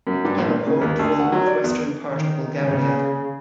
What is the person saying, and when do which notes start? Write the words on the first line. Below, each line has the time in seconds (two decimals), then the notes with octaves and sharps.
It became a port for the northwestern part of Bulgaria.
0.07 F#2
0.25 G2
0.38 A#1
0.50 A#2
0.67 C#3
0.81 D#2
0.99 D2
1.19 F#5
1.32 F#3
1.47 D5
1.64 E2
2.10 D#3
2.65 C#3